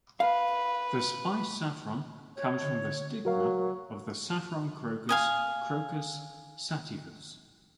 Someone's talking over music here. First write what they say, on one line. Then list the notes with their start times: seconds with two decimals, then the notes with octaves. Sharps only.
The spice saffron comes from the stigma of the saffron crocus, "Crocus sativus".
0.20 B4 F5
2.37 C#5
2.62 D3
3.25 F#3 F#4 A#4 F5
5.09 F5 G#5 D#6